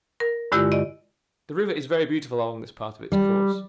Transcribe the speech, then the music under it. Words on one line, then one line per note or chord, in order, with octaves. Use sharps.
The river is very beautiful along this part of its course.
A#4
G2 D3 G#3 E4 F4 G4
D5 D#5
G3